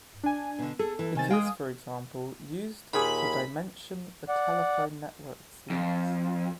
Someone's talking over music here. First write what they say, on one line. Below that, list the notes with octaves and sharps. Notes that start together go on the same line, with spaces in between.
It is, for example, used to dimension a telephone network's links.
D4 G#5
B2 D3
G#4 A4
E3
C3 D#3 C4 G#5 A6
G#3 F5 G5 G#5 D#6
D#2 A#2 G#4 B5
D5 F#5
F2